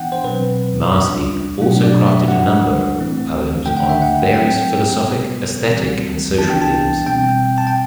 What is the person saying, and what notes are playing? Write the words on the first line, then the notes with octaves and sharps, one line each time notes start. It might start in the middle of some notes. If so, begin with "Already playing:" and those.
Maasti also crafted a number poems on various philosophic, aesthetic and social themes.
Already playing: E3 B3 D4 F#5 G5
C5
B2 F#3 C4 B4
A2 G3 D4
B2 F#3 A3 D4
D5
E5
A2 G3 D4 F#5
A2 E3 A3 C4
D3 A3 D4 G5
F#5
E5
F#5
A2 F#3 C4 G5
C3 G3 B3
E3 G3 C4
E3 B3 D4 A5
G5
A5
B2 G3 C4 G5
A5
G5